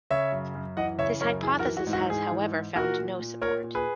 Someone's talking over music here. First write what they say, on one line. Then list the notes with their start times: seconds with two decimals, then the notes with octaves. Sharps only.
This hypothesis has, however, found no support.
0.10 C#3 C#5 E5
0.32 F#2
0.55 F#2
0.77 E3 D#5 F#5
0.98 C#3 C#5 E5
1.21 F#2 A#4 C#5
1.42 E3 G#4
1.59 F#4 A#4
1.65 E3
1.77 F#4
1.87 G#2
1.93 F#4
2.09 G#2 G#4
2.32 E3
2.53 E3
2.75 A#2 F#4 A#4
2.98 A#2
3.19 A#2
3.41 A#2 A#4 C#5
3.63 A#2
3.75 G#4 B4